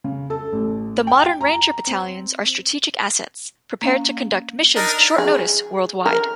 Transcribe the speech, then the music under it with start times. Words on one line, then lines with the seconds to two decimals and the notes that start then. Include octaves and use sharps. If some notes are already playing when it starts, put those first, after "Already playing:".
The modern Ranger battalions are strategic assets, prepared to conduct missions short-notice worldwide.
0.04 C#3
0.30 A4
0.53 A1
1.07 G5
1.21 G5
1.41 A#5
1.87 C4
3.82 A#3 C#4 F5
4.76 D4 D#4 A#4
5.18 G#4
6.06 A#4